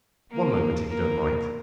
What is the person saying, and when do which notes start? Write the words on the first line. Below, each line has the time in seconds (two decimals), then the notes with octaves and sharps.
"One moment, if you don't mind."
0.32 A#3 A#4
0.89 A#3 A#4